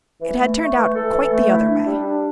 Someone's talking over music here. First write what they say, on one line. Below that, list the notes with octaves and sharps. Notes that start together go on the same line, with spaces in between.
It had turned out quite the other way.
E3
A3
A3
E3
A4
E3
A3
E4
D4
G3
D4